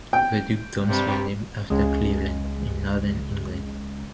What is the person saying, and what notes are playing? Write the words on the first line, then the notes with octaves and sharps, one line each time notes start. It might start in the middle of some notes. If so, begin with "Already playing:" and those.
The dukedoms were named after Cleveland in northern England.
G5
G2 C3 G3
C#2 G#3